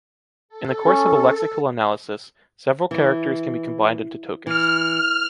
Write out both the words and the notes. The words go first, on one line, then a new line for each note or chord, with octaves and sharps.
In the course of a lexical analysis, several characters can be combined into tokens.
A4
C#4
E3
E3 F6